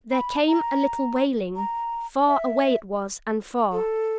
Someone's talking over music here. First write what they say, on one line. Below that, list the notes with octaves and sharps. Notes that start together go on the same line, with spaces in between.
There came a little wailing; far away it was and far.
B5
A#5
A#5
E5
A4